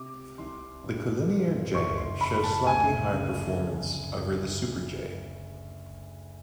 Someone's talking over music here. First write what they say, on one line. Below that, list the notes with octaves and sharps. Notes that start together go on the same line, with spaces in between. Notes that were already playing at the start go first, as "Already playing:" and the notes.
The Collinear J shows slightly higher performance over the Super-J.
Already playing: C3 D6
C2 C6
G2
G2
F#1 C#6
C6
F#1 B5
A5
D2 G#5
C#3